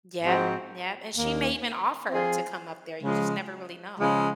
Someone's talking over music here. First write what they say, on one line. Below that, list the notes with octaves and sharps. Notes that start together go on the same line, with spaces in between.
yep, yep, and she may even offer to come up there, you just never really know.
G#2 F3 C4 F#4
D#2 D#3 A#3
F3 C4 F4 G#4
C#3 F3 G#3
C#3 F3 G#3